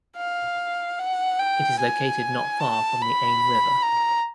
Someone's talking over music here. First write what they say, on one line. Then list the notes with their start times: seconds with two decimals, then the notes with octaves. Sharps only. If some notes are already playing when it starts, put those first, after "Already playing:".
It is located not far from the Ain River.
0.17 F5
0.99 F#5
1.39 G5
1.79 G#5
2.60 A5
3.01 B5
3.82 A#5